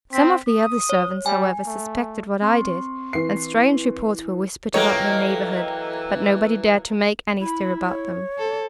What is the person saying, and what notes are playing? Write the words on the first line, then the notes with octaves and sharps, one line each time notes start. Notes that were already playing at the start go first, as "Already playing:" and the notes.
Some of the other servants, however, suspected what I did, and strange reports were whispered about the neighbourhood, but nobody dared to make any stir about them.
C4 B6
D#6
C#5
G3 G#5
A3
C4 C6 C#6
E3 C7
E3 F#3 A#3 A4 C#5 D#5 G5
E4 B5
C#5
A4